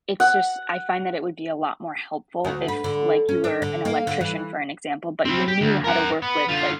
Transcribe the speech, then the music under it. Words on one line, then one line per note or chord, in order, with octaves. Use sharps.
it's just I find that it would be a lot more helpful if, like, you were an electrician for an example, but you knew how to work with, like,
F#5
D2
B4
D3
C#4
D4
D3
A#3
D3
E3
C4 E4
G4
D2
A#4 F#5
B3
D3 F4